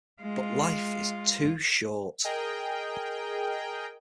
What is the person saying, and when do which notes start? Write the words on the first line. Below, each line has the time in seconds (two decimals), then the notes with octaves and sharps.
But life is too short.
0.21 G#3 F4
2.24 G#4 A#4 D#5 G5